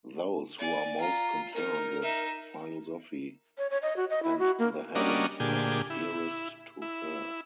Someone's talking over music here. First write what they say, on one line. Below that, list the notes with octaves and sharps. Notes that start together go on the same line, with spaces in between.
Those who are most concerned with philosophy and the heavens are dearest to her.
D5 G#5
F4 A#5
D#4 A#4
D#4 E5
C#5
C#5
D#5
F#4
D#5
E4
F#4
A#3
G3 A#3 C#4 D4 F#4 D#5
A#2 D3 G4 G#4
E4
E4